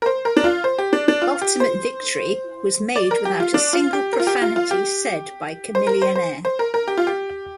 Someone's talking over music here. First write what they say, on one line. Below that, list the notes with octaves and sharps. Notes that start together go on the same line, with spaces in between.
"Ultimate Victory" was made without a single profanity said by Chamillionaire.
A#4
C5
A#4
D4
F4
C5
G4
D4
D4
F4
G4
C5
D5
A#4
G4
F4
D4
F4
G4
A#4
F4
G4
F4
F4
G4
C5
A#4
C5
C5
C5
A#4
A#4
G4
F4
G4